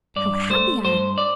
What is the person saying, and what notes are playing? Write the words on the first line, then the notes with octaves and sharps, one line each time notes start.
How happy I am!
G2 D5
A3 C5
G2 C5
D5